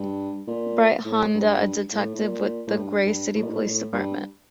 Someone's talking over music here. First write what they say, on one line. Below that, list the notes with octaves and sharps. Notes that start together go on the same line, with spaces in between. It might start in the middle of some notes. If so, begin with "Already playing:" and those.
Bright Honda: A detective with the Gray City Police Department.
Already playing: G2
A#2
A2
G2
A2
A2
A#2
A2
G2
G2
A2
A#2
A2
A#2
A2
G2